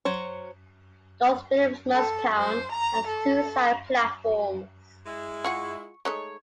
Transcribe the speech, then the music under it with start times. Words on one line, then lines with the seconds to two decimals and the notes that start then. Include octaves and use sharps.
North Willimastown has two side platforms.
0.05 F#3 C5 C#5
1.94 A4
2.37 C5
2.71 A#5
3.07 A4
5.06 G#3 E4
5.44 F4 G#4 F#5 C#6
6.05 G#3 A3 D#4 C#5